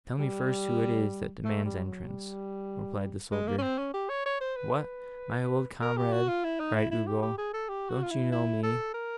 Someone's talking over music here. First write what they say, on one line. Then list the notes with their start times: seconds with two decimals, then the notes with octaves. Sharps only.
'Tell me first who it is, that demands entrance,' replied the soldier. 'What! my old comrade,' cried Ugo, 'don't you know me?
0.19 G3
1.45 A3
1.65 G3
1.86 F#3
2.07 G3
3.32 G#3
3.48 A#3
3.58 C#4
3.63 C4
3.78 C#4
3.94 G4
4.09 C#5
4.26 C#5
4.41 C5
4.57 B4
5.81 A#4
5.97 G4
6.13 F#4
6.28 F4
6.45 E4
6.60 D#4
6.75 E4
6.91 E4
7.07 G4
7.23 G4
7.38 G#4
7.54 A4
7.69 G4
7.90 F#4
8.03 F4
8.11 E4
8.32 E4
8.63 A4
8.94 A#4